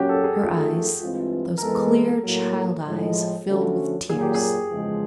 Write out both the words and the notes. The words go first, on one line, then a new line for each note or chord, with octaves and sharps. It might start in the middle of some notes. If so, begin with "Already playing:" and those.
Her eyes, those clear child-eyes, filled with tears.
Already playing: A#2 F#3 A#3 C#4 F#4 G4
A4
G#4
D#3 F#3 A3 C#4 F4
G2 E3 G#3 C4 F4
A#4
E3 G#3 B3 A4
A2 F#3 A#3
A2 F3 G#3
D3 F3 A3 C#4 F#4
A#2 F#3 A#3 G#4
G4
G#4
E2 C#3 F3 G#3